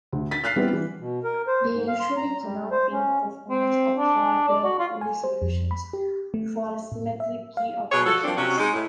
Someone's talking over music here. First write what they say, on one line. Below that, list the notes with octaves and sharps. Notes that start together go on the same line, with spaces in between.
They usually cannot beat the performance of hardware-only solutions for symmetric key operations.
D2
A6 B6
F6 F#6 B6 C7
G3 B3 C4 E4
E3
B2
A#4
C5
G#2
F5
C6
A#5
G3
C5
C#4
C4
D4
D5
F#4
F4
G#5
C5
F2
B5
G4
A3
A2
E5
F5
B2 F#3 G#4 C#5
F3 F#4 A4
F3 A#3 C4 D4
C3 F#3 C#4 F#4
G#3 D#4
A2